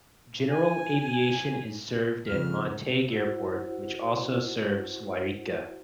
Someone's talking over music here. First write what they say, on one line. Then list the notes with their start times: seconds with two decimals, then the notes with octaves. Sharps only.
General aviation is served at Montague Airport, which also serves Yreka.
0.50 G#5
2.27 F2 C#3 F6
3.11 E4 F#4 C5 F#5